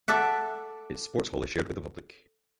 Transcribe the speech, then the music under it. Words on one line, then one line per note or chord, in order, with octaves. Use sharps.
Its sports hall is shared with the public.
A4 D5 E5 F#5